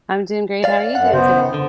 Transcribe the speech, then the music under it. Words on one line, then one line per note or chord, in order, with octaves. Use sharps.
I'm doing great. How are you doing today?
D5 F5
F#2 F#5
C#3 B3 C5
F2 D3